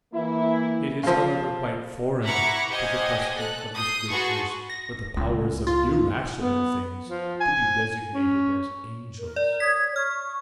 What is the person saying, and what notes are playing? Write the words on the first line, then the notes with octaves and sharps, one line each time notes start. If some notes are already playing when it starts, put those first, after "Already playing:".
It is, however, quite foreign to the custom of the Scriptures for the powers of irrational things to be designated as angels.
E3 A#3 E4
C#3 F3
E4 E5 F#5 A#5 C#6 D6
G4 C5 D#5 F5 F#5 G#5
A4 F#6
D#6 G6 C7
F#4 G#4 B4 A5 C6 C#6
A#6
C#2
F4
B3
F3
G#5
C#4
A#4
D5
C#5 D#6 G#6 B6
C#6 F6